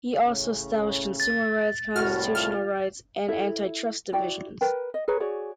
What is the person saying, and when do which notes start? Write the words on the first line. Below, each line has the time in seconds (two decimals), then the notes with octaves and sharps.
He also established Consumer Rights, Constitutional Rights, and Antitrust divisions.
0.24 A2 C#3 C#4
1.20 A6
1.96 C2 A2 F#4 F6
2.35 F4 F6
3.28 E4 A4 E5
4.12 E4 F#4 D5 G5
4.61 A#4 B4 G5
4.94 D#5
5.08 G#4 B4 C#5 A#5
5.20 F#4 G#4 C#5 D5